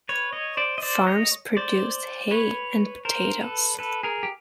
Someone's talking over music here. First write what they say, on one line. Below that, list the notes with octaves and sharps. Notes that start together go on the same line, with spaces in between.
Farms produced hay and potatoes.
B4 C#5
C#5 D#5
C5 D5
D#5
C5 D5
C#5 D#5
C5 D5
B4 C#5
A#4 C5
A4 B4
A4 B4
G#4 A#4
G4